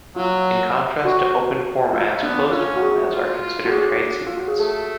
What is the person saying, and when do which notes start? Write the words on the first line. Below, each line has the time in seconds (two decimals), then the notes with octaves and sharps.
In contrast to open formats, closed formats are considered trade secrets.
0.16 F#3 F4
1.05 F#4
1.93 A3 F4
2.23 B3 D4
2.45 D4
2.52 C#4 F4
2.76 F#4
2.82 G#4
3.11 F4
3.41 F4
3.65 F4 F#4
3.70 D4 G#4
4.27 F4
4.37 F#4
4.48 G#4
4.59 A3 A4